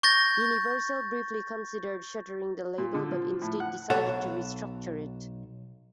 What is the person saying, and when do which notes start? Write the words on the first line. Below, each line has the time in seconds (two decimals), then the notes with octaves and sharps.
Universal briefly considered shuttering the label, but instead decided to restructure it.
0.03 C#6 G6 A6 A#6
2.78 A#2
2.94 D3
3.11 F3
3.42 A2
3.60 F#5
3.90 B1 A4 C#5 F#5